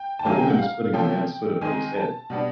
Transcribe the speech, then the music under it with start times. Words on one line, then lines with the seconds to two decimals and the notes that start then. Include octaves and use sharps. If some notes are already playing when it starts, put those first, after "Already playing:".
A woman is putting a man 's foot above his head.
Already playing: G5
0.19 A5
0.25 D#3 F#3 A#3 G#5
0.39 G5
0.50 F#5
0.59 F5
0.93 C3 F3 A3 C#4 G5
1.61 D#3 G#3 C4 D#4 G#5
1.96 A5
2.30 B2 G3 B3 D4